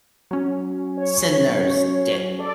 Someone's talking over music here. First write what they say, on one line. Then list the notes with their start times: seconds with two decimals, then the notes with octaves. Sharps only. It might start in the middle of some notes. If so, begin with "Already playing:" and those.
Sinners did?
0.31 F#3 C#4
0.97 C#5
2.39 A4 D5